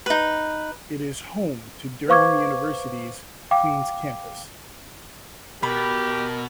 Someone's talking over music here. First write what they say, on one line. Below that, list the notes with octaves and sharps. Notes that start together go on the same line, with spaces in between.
It is home to Durham University's Queen's Campus.
D#4 B4
B4 C5 F5 C#6 D6 G#6
F5 G5 D6
B2 G4 A#4 B5